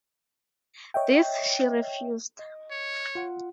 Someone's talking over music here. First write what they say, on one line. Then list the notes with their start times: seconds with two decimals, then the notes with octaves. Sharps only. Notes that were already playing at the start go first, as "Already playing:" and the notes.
This she refused.
0.94 C#5 D#5 E5 G5
2.39 D#5
2.71 C#5
3.15 F4 F#5